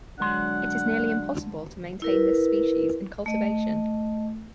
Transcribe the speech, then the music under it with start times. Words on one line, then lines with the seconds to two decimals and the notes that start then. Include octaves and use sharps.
It is nearly impossible to maintain this species in cultivation.
0.20 D3 F#3 G#3 D4 F#5 C6
2.02 E4 A#4 B4
3.26 A3 D#5